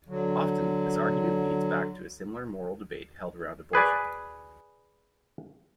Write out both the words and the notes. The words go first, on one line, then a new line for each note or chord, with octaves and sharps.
Often, this argument leads back to a similar moral debate held around abortion.
D3 F#3
G#4 B4 D5 G#5